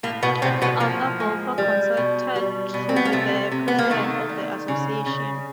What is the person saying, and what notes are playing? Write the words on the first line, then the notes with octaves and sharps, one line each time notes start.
Arthur Balfour consented to be the president of the association.
A2 A#3
B2 B3
A2 C3 C4
B2 B3
F3 A#3
G#3
G3
B2
G3
B2
C4
B3
A#3
C3 A3
C3
B3
A#3
D#3 A3
G3
C#3
C#3